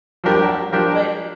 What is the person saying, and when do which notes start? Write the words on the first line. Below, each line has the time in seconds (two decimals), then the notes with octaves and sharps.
Um, but
0.24 F3 D4 G4 A#4
0.73 F3 D4 G4 A#4